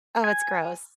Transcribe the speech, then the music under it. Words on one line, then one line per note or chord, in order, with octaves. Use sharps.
oh, it's gross.
G#5